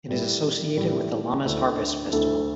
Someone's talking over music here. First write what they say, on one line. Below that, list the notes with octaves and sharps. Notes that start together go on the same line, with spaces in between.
It is associated with the Lammas harvest festival.
A2 G3 E4
A2 G3 E4
D2 D3 A3 E4 A4
D2 D3 A3 E4 A4